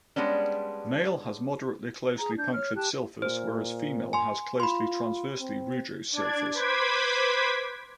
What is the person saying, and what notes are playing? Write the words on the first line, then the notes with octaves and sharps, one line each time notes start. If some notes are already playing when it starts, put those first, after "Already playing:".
Male has moderately closely punctured clypeus whereas female has closely transversely rugose clypeus.
G3 G#3 B3 C#4 D4
G#4 A#5
D4 G6
C#5 F6
G4 A5 F#6
A#2 C5
G#5 C6
F4 B5 C6
C4
D4 D5 G#6
B4 C5 D6 G#6 B6